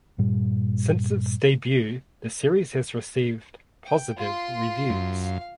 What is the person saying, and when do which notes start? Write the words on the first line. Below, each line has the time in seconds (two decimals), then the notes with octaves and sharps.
Since its debut the series has received positive reviews.
0.18 G2 A#2 G3
3.87 G5
4.18 F4 C6
4.90 F#2
5.23 F5